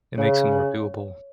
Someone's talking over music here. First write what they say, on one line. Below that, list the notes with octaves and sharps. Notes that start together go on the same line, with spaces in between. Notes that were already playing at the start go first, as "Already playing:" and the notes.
It makes it more doable.
C#3 C#5
C#5